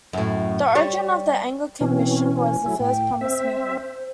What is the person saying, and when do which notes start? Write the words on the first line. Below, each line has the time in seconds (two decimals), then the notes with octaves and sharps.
The origin of the Anglican Mission was the First Promise Movement.
0.13 F#2 A2
0.75 G3 C#5
1.81 B2 E3 C4 C#4
2.37 G#5
2.66 F#3 A3 E4
2.80 A2 G5
3.21 C4 C5 E5